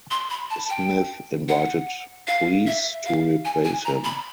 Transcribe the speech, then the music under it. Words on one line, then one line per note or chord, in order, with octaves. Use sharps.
Smith invited Preece to replace him.
C6
B5
A5
G5
F#5
F5
E5
F5
G#5
G#5
A#5
B5